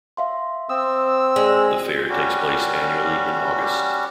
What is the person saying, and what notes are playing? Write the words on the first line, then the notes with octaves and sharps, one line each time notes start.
The Fair takes place annually in August.
E5 F5 C6
C4 D#6 E6
G#3 D5
G3 C#4 F#4